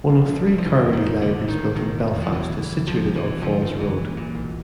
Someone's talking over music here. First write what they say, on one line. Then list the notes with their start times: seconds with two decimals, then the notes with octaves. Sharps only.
One of three Carnegie libraries built in Belfast is situated on Falls Road.
0.09 A#1
0.29 A#1
0.46 A#1
0.58 F3
0.65 F1 E3
0.84 D#2
0.93 D#3
1.02 F1
1.21 A1 D3
1.40 A1
1.48 D#3
1.58 A1
1.76 B2 D#3
1.94 F1
2.14 E2
2.22 F3
2.31 B2 E3
2.50 F#1
2.68 F#1
2.87 C2 F3
3.05 C3
3.16 E3
3.25 C3
3.42 D3 F3
3.61 F#2 D#3
3.79 D3 E3
3.98 A#2
4.17 A#2
4.35 B1